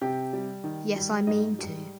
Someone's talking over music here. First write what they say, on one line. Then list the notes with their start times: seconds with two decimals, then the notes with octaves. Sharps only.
Yes, I mean to.
0.01 C3 G4
0.33 G3
0.64 D#3
0.96 G3
1.27 G#2 D#5
1.59 G3